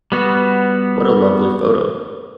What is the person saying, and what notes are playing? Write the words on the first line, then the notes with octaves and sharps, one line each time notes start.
What a lovely photo.
G3 B3 F#4